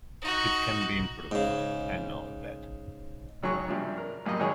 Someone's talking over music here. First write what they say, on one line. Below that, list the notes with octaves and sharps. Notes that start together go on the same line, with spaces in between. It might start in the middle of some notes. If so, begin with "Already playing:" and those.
It can be improved; I know that.
D#4 F#4
G#2 C#3
G#1 F#3 G#4 C#6
G2 C3 F3
A#4
A1 F#2 G3 A#3 D#5
D#2 F#3 G#3 G#4 C#5